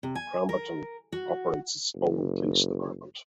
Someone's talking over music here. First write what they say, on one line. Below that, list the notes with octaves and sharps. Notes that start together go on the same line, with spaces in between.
Cramerton operates its own police department.
C3
G#5
A#4
F#4
F#1